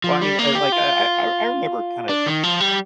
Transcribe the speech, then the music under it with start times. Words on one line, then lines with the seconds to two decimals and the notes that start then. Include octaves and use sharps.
Well, I mean, uh, like, uh, I I I remember kinda
0.04 F3
0.21 G3
0.39 A#3
0.55 G4
0.72 F4
2.09 D4
2.26 D#3
2.43 F3
2.60 G3